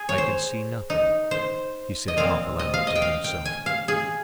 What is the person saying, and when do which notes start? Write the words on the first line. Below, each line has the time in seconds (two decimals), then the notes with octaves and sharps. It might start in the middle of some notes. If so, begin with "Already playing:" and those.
"I can see nothing," he said half aloud to himself.
Already playing: G#4
0.09 C#5
0.18 C5
0.90 D#4
1.31 C5
2.08 D#5
2.17 A#2 F3 C4 F5
2.59 D#5
2.74 F5
2.87 D#5
2.96 G5
3.02 F5
3.24 G5
3.45 G#5
3.66 F5
3.88 G#4